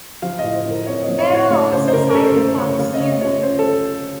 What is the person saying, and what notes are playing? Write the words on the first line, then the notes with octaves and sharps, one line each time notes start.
There are also cycle parks nearby.
F3 F5
D#5
A2
C5
A2
A#4
C4 C#5
D#5
F3
C#5
A2
C#5
A3 C#5
C#3 C5
C5
C#3 A#4
A#4
C#4 A4
C5
A3 A#4
C5
C#3 C#5
A3 F5
D#5
C#3 C#5
F4 C#5
C#4 C5
A4